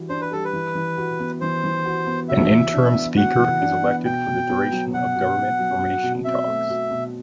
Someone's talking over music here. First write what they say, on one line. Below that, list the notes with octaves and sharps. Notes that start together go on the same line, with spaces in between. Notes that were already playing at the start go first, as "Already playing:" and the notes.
An interim speaker is elected for the duration of government formation talks.
Already playing: E3 G3 F#4
D4 C5
B4
G3 A4
B4
E3
E3
F#4
B3
E3 C5
E3
F#4
B3
F#4 E5
E3
D4
B3
F#4 F#5
E3
D4
B3
B2 G5
B2
B3
F#3
B2 F#5
B2
B3
F#3
F#4
B2
C4 E5
A3
F#4
B2